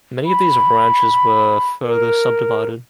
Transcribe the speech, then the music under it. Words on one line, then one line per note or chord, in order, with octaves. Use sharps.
Many of these ranches were further subdivided.
B5
A#4